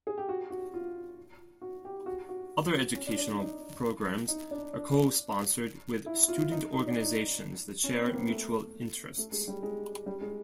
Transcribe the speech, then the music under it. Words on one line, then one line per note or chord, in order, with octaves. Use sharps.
Other educational programs are co-sponsored with student organizations that share mutual interests.
G#4
G4
F#4
F#4
F4
F#4
G4
F#4
F#4
F#4
C#4
D4
D4
D4
D#4
D#4
D4
D4
E4
F4
D#4
D#4
D4
D#4
C#4
B3
C4
A#3
B3
A3
A3
G#3
G3
G#3
G3
G#3